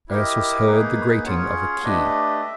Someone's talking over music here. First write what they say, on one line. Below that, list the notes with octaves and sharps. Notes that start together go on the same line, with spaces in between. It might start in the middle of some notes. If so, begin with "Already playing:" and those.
Ursus heard the grating of a key.
E4 G4 A#4 D#5
A#3 D#4 G#4 B4
C#4 F4 G#4 C#5 F#5
A3 D4 G4 B4 D#5
E5